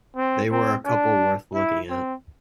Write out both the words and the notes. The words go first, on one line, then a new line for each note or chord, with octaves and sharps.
They were a couple worth looking at.
C4
C4
D4
E4
C4